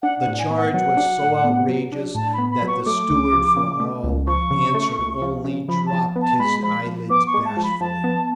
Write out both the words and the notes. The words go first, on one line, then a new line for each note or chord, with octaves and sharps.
The charge was so outrageous that the steward for all answer only dropped his eyelids bashfully.
D4 F#5
F#5
A2
G#5
B3
F#5
F#3 F#5
D4
A2
B3
F#3
D4
A2 A5
B3 B5
B5
F#3
C#6
A3 D6
C#2
F3
C#3
A3
C#2
F3 C#6
C#3
A3
C#2
F3
C#3
F3 B5
A5
F3
B3
A5
G#3 B5
F3 B5
F3
B3 D6
C#6
G#3
A5
F3
B5
F3 A5
B3